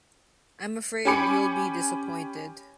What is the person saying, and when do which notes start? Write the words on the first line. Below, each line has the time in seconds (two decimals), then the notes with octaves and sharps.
I'm afraid you'll be disappointed.
1.05 C#4 G4 G#5 B5 D6 C#7